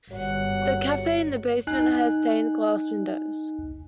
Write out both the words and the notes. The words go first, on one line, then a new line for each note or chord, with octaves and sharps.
The cafe in the basement has stained glass windows.
G1 F#3 F#5
D#4 G#5 F#6